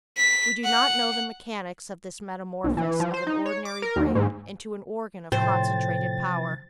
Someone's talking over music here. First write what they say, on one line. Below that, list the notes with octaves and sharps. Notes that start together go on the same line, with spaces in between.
We do not know the mechanics of this metamorphosis of an ordinary brain into an organ of concentrated power.
B6
F#5
B1
E3
F3
C5
D#4
C#5
D6
A#4
D#2
G#2
A2 C3 F3 C5 G5 A6